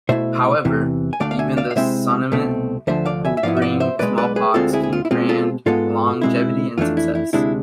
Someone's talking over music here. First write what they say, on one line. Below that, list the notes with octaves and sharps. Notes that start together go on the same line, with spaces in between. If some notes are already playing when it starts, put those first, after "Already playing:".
However, even the Sonnimne, who bring smallpox, can grant longevity and success.
B2 A3 E4 C5 E5
E2 C3 E3
G#5
D2 D3 A3 D4 D5 F5
F5
E5 G#5
D5 F5
F5
C3 G#3 C4 E4 C5 E5
C2 B2 A3 C4
D2 D3 F3 C5 E5
D5 F5
E5 G#5
E5
G#2 F3 B3 E4 D5 F5
E5
D5 F5
C5 E5
B1 B2 G#3 B4 D5
B4 D5
G#4 B4
D2 D3 G#3 C4 F4 A4
E4 G#4
G#4
F4
E4
B2 G#3 C4 F4
F4 A4
G#2 G#3 B3 F4 A4
B2 G#3 C4 E4
F2 E3 A3 D4 F4
E4
E4
D2 C3 G#3 D4 E4